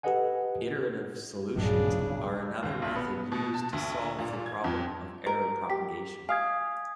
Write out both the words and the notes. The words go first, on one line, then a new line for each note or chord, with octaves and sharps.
Iterative solutions are another method used to solve the problem of error propagation.
G4 A4 B4 D#5 F#5 G#5
D1 B1 G2 A#2 C#3 F#3 D4 G#4
D#2
B1
B3
B2
A5
D2
A#2
G#6
F2
A#4
G4 B6
F5 G#5 D#6 G#6